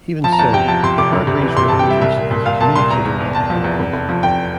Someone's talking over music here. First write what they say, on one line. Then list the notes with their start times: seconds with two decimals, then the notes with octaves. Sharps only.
Even so, Hargreaves' reputation as a communicator went ahead of him.
0.24 F3 A5
0.32 A#5
0.39 E2 A5
0.53 C3 G5
0.68 F3 A5
0.83 C3 C6
0.98 F1 D6
1.13 D2
1.27 C3
1.42 E3
1.57 C3 C6
1.68 C3 A5
1.79 G5
1.87 G3 E5
2.01 C2 E5
2.17 A#2
2.31 A#2
2.46 A#2 F5
2.60 A#2 A5
2.76 C2 C6
2.90 E2 A#5
3.05 E2
3.20 E2
3.35 E2 A5
3.50 F3
3.64 E2
3.80 F1
3.93 F1
4.09 F3
4.23 F1 G5